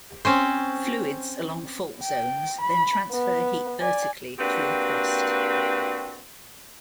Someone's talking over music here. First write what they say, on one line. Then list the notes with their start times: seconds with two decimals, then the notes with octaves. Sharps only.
Fluids along fault zones then transfer heat vertically through the crust.
0.25 C4 C#4 C5
2.02 G5
2.61 B5
3.12 B3
3.80 D5 G#5
4.39 A#3 C4 D4 F#4 G4 B4